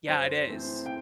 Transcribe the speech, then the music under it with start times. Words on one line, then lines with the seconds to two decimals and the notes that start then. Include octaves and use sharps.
Yeah, it is.
0.08 F#2 C5
0.47 E3 A3 C4
0.86 G5